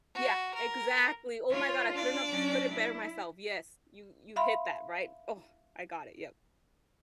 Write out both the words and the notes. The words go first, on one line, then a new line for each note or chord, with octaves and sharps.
Yeah, exactly. Oh my god, I couldn't have put it better myself, yes, you you hit that right Oh, I got it, yep.
F#4
A#4
F4 C#5
D4 D5
F#3 C#4
E4
E5 F5 B5 C6